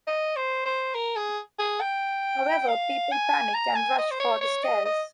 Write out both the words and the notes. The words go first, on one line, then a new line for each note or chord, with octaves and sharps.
However, people panicked and rushed for the stairs.
D#5
C5
C5
A#4
G#4
G#4
G5
F5
G#5
A#5
G#5
D#5
C5
C#5
C#5
D#5
D#5